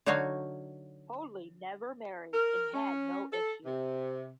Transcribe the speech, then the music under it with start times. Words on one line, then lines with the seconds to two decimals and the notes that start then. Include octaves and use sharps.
Hoadly never married and had no issue.
0.06 D3 F#3 D#4 F#4 C#5 F5
2.34 A#4
2.74 C#4
3.33 A4
3.65 C3